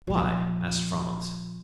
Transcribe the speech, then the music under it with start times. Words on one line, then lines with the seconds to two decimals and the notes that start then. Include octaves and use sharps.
"Why?" asked Franz.
0.07 A#2 F3